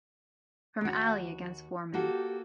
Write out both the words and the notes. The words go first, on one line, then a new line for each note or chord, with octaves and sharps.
From Ali against Foreman.
D#2 F#4
A#3 F#4 G4 A4